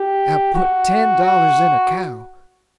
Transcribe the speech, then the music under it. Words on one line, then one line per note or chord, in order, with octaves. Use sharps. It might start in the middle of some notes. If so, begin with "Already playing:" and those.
I put ten dollars in a cow.
Already playing: G4
F#4
F#4